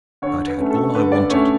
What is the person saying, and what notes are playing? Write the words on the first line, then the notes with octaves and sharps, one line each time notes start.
I'd had all I wanted.
D3 C#5
B4
A3 C#4
A4
D3 B4
D5
A3 C#4 C#5